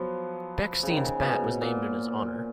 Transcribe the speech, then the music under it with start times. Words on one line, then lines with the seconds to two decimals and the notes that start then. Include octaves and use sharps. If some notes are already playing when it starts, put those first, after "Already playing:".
Bechstein's Bat was named in his honour.
Already playing: F3 F#3 B3
0.83 C#3
0.89 D#3
0.97 C#3
1.22 B2
1.32 C#3
1.44 B2
1.61 A#2